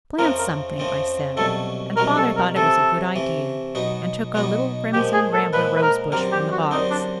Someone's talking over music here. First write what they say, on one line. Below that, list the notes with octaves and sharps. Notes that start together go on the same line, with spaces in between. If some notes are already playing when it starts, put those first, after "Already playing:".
"Plant something!" I said, and father thought it was a good idea and took a little crimson rambler rose bush from the box.
F2 C#3 F3 A3 C4 A#4
A#4
F2 C#3 F3 A3 C4
C2 B2 F#3 A3 C#4 A4
C2 B2 F#3 A3 C#4 A#4
A4
A#4
C3 E3 A3 A4
C3 E3 A3
B2 F#3 B3 D#4 F#4
B2 F#3 B3 D#4 F#4
A#2 F3 G#3 G4
G#4
A4
A#2 F3 G#3 B4
B4
A#4
F#2 D3 G3 C4 A#4
G4
F#4
F#2 D3 G3 C4 D#4
D4